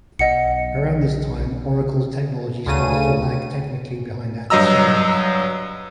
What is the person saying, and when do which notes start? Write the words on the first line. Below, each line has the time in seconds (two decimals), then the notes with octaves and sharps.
Around this time, Oracle technology started to lag technically behind that of Sybase.
0.19 B1 D#5 F#5 C#7
2.66 D2 C#3 D#7
4.50 G2 F#3 D#5 A#5 E6